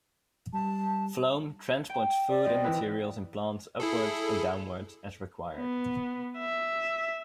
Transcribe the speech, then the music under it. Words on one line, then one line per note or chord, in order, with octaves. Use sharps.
Phloem transports food and materials in plants upwards and downwards as required.
G3 A5
G5
D5
C4 D#5
E3 E4 B4
E4 G#4 A4
B3
E5